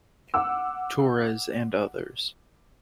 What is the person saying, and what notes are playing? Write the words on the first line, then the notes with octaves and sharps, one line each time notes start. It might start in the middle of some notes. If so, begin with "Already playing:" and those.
Torres and others.
F#5 D6 E6